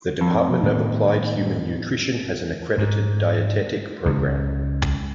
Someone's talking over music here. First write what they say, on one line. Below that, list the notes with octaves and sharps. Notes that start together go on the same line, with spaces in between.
The Department of Applied Human Nutrition has an accredited dietetic program.
F2
A2 D#3 B3
G#2
C#2